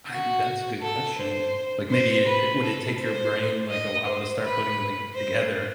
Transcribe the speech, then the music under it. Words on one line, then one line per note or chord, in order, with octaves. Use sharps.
I eh, that's a good question. Like, maybe it it would it take your brain, like, a while to start putting thing together?
F#4
A4
C5
C5
B4
A4
C5
D#5
C5
B4
C5